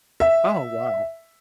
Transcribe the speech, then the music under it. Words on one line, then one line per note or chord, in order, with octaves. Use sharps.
Oh, wow.
E5